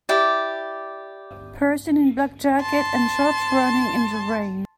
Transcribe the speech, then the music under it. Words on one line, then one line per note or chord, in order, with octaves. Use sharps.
Person in black jacket and shorts running in the rain.
E4 G4 D5
A5 C6